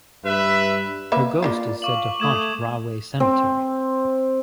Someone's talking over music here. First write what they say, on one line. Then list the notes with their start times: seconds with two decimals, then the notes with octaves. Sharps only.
Her ghost is said to haunt Rahway Cemetery.
0.24 G2 B4 E5
1.12 A#3 B4 E5
1.43 A#3 E4 F4 D5
1.82 F5 C#6 D6 F#7
2.20 A3 D#6 G#6 E7
3.20 C4